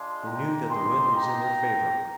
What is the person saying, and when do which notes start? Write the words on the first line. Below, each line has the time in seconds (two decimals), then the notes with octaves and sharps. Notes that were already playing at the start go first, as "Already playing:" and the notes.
They knew that the wind was in their favor.
Already playing: G#3 D4 F4 G#5 C6
0.25 G5 A#5
0.70 A#3 D#4 G4 G#5 C6
1.14 G5 A#5